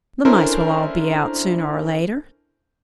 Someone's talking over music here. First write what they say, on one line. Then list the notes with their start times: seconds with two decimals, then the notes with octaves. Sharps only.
The Mice will all be out sooner or later.
0.25 C#4 D4 E4 A4 A#4 C5